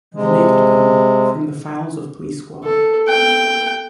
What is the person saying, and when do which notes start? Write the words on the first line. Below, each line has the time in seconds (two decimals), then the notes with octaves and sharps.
The Naked Gun: From the Files of Police Squad!
0.14 C3 G#3
2.64 A4
3.08 G5